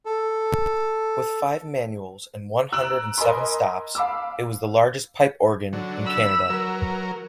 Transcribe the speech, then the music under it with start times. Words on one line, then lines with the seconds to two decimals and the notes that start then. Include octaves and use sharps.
With five manuals and one-hundred-and-seven stops, it was the largest pipe organ in Canada.
0.06 A4
2.72 A#5 E6 F#6 D7 E7 F#7
3.18 A#4 D#5 G#5 B5 C6
3.95 F5 B5 D6 E6
5.73 D3 F#3
6.06 B5 E6
6.50 F#3 A#4 B4